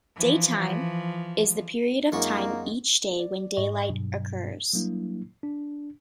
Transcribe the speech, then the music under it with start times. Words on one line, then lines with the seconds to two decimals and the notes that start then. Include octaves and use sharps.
"Daytime" is the period of time each day when daylight occurs.
0.16 E3 F3
2.12 F#2 G#3 A#3 C4 D4 E4 C#6
3.20 D5
3.57 G#2 D#5 C#6
3.89 G2 B2 F#3
4.73 F#3 G3 A#3 D4 E4
5.43 D4